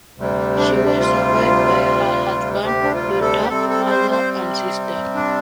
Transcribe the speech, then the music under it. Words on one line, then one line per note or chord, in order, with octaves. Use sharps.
She was survived by her husband, daughter, mother, and sister.
D2 C3 G3
D4
C4
D4
F4
G4
D4
F4
A4
G4
C3 G3 C4 A4
A4
A4
C5
C5
D4